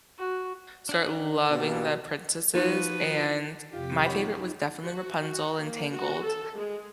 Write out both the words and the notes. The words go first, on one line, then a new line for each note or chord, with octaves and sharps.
start loving the princesses, and my favorite was definitely Rapunzel in Tangled,
F#4
D4 F#5
B2 A#3 G4 A4
F3 D#4 F4 F#4 B4 C#7 D#7
F2 C3 F4 G4 B6
D#4 F4 C#5 F#5 B5
F#4
F#4
A#3
F#4
A4
G#3